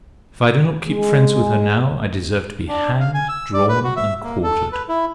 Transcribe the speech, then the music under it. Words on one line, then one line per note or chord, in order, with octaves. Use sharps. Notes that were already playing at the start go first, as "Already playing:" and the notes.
If I do not keep friends with her now, I deserve to be hanged, drawn, and quartered.
G#3
D4
F5
G#5
E6
D5
B4
F#4
E5
A#3
A4
B4
E4